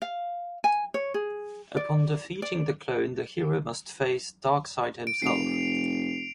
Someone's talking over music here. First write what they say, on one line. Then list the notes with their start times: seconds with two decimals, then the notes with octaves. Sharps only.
Upon defeating the clone, the hero must face Darkseid himself.
0.02 F5
0.64 G#5
0.94 C#5
1.14 G#4
1.77 D5
2.42 D5
5.07 D7
5.22 F1 C7 D7 F7